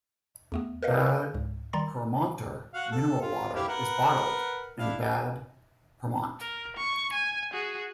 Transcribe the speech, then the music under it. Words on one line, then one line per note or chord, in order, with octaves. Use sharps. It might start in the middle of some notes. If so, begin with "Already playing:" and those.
Bad Pyrmonter mineral water is bottled in Bad Pyrmont.
E2 A3 B3
A#4 B4 D#5 F5
C#2 G#2
D#3 G3 A#5 C6 A6
F#4 F5 F#5
A4
F4
E4 G4 F5
A#4 B4 F#5
D4 E4 F5
A#4
C#6
G#5
F#4 G#4